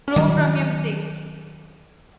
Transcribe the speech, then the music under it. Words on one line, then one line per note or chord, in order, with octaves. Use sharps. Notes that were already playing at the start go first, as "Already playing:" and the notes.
You grow from your mistakes.
D#3 F#3